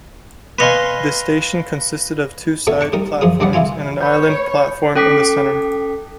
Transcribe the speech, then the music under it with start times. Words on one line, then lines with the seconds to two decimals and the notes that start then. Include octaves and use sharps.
This station consisted of two side platforms and an island platform in the centre.
0.59 B4 C#5 D#5 F5 G#5 C6
2.67 B2 A4 C#5 E5
2.81 A5 C#6 D6
2.93 G3 D#4 A#4
3.21 F#2 F3 G#4 D#6
3.40 C2 G3 D4 D5 D#5 F#5
3.53 C2 E3 E4 F4 G#5
4.01 B4 C#5 B5 G6
4.96 C#4 A4 G5 D6 B6